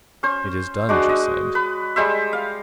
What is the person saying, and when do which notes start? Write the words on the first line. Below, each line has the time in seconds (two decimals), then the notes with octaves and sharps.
"It is done," she said.
0.23 C#4 C5
0.89 G#3 D4 F#4
1.09 D#5
1.55 B4
1.96 G3 G#3 C5 E5
2.33 F5